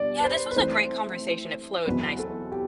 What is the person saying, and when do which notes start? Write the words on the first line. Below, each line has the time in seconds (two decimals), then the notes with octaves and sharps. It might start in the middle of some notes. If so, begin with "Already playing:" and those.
Yeah, this was a great conversation, it flowed nice
Already playing: B2 G3 D4 D5
0.20 B4
0.24 C5
0.51 B4
0.56 E3 A3 C4 C5
1.86 E2 B2 F#3 C4 B4
2.19 A4
2.52 G4